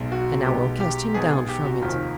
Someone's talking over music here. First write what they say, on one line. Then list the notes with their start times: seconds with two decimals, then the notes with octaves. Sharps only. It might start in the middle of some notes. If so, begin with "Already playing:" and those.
"And I will cast him down from it."
Already playing: B1 B2 G#3
0.12 F#4
0.45 B1 B2 G#3 G4
0.80 G4
1.14 B1 B2 G#3 G#4
1.31 G#4
1.48 G4
1.65 F#4
1.82 F1 D#2 D#3 F4